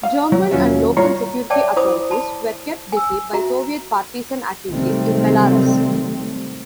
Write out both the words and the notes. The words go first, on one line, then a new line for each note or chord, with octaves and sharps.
German and local security authorities were kept busy by Soviet partisan activities in Belarus.
F5
F#3
D#2 B2 F#3 C#4 F4 E5
A2 G3 F4 C#5 A#5
C#5 D5 E5 G5 A5 D6
E4 C5 B5 D6 D#6
A5 B5
G#5 E6
F#4 E5 A#5
C3 D#3 F#3 G3 A3 C4